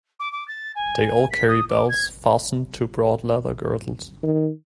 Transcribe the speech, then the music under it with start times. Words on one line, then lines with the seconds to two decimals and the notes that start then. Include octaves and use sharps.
They all carry bells fastened to broad leather girdles.
0.19 D6
0.32 D6
0.48 A6
0.75 G#5
1.30 B6
1.48 D#6
1.69 D6
1.89 G#6
4.23 D#3